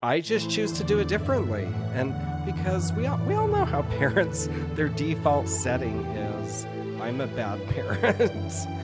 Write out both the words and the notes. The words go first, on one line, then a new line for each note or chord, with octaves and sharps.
I just choose to do it differently, and because we all we all know how parents, their default setting is, "I'm a bad parent",
A2 E3 C5
E2 D3 D5
G2 D3 E5
A2 E3 F#5
E2 D3
F#2 E3 F#5
A2 E3 D5
E2 C3 E3 A4
A2 E3 B4
E2 D3 A4
A2 E3
F#2 E3
E2 C3 E3 G4
A2 E3 G4
A2 E3
A2 E3 B4
G2 E3
G2 D3 G5
F#2 E3